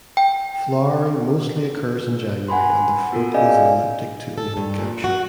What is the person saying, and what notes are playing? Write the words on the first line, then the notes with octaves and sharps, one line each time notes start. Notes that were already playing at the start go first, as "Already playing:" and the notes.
Flowering mostly occurs in January and the fruit is an elliptic to oval capsule.
G5
F#5 G#5 B5 C6
B3 F4 F#4 A4 A#4
C#4 G#4 D5 D#5 F5 G#5
A4
G2
A#2
F#4